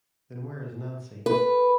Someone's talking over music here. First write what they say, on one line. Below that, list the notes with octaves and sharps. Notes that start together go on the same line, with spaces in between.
Then where is Nancy?
B4